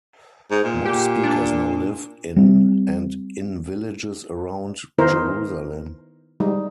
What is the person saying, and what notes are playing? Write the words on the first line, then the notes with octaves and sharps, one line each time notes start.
Most speakers now live in and in villages around Jerusalem.
G#2
A#2
G4
D4
G3 C4
D#3 B3 D#4 E4 A#4 C5
G3 G#3 D#4